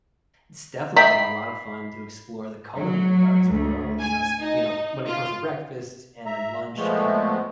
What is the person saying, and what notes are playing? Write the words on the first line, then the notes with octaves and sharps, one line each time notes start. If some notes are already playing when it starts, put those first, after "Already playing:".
it's definitely been a lot of fun to explore the culinary arts world, you know s you know, when it comes to breakfast and then lunch, dinner,
D#5 E5 G5 A#5 B5 C7
F#3
D2
G#5
D#4
F4
E5 A#5
A#2 F3 G#3 A3 B3